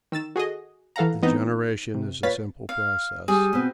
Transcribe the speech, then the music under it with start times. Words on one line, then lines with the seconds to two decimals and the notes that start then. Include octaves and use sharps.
The generation is a simple process.
0.12 D#3 E6 A6 E7
0.36 F#4 G#4 A4 D#5
0.96 E3 A4 F5 F#5 A#5
1.22 E3 B3 C4 D#4
1.94 C3
2.23 A#2 B4 C#5 F5 A6 B6
2.69 F5
3.28 G3 G#4
3.53 B2 C4